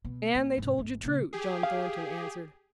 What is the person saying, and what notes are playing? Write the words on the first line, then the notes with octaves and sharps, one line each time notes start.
"And they told you true," John Thornton answered.
B2
A#1
G#2 C3
G#1 E2
A#2 C#3
G4 G#4
F5